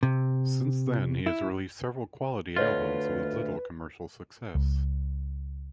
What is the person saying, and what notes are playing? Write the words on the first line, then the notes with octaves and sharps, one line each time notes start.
Since then he has released several quality albums with little commercial success.
C3
E4
D2 F4 A4 B4 C#5 D#5
C#2